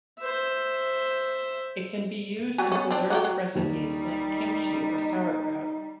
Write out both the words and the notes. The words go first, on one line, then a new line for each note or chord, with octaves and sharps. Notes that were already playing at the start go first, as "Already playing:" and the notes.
It can be used in preserved recipes like kimchi or sauerkraut.
C5 E5
F#3 G3 G#5
B3 C#4
C4 D4
F#3 F#4 G4
F#3
D#2 G3 D#4